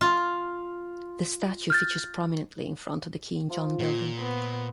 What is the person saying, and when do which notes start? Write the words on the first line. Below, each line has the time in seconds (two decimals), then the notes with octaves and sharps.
The statue features prominently in front of the Keen John Building.
0.01 F4
1.70 F6 G6 A6
3.49 F3 F4
3.79 A#2 C#5 F#5 C6
4.19 B3 C5